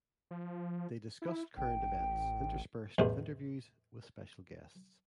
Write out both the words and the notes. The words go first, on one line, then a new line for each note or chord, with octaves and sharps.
They discussed current events, interspersed with interviews with special guests.
F3
E4
A1 G5
A1 E2